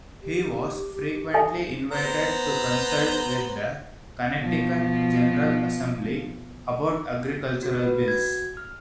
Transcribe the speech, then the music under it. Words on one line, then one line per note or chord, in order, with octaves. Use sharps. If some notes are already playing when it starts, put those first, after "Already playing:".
He was frequently invited to consult with the Connecticut General Assembly about agricultural bills.
G4
A4 E5 G#5
B3 C5 A#5
B2 F3
F#4
B4
F#4 G#6
F6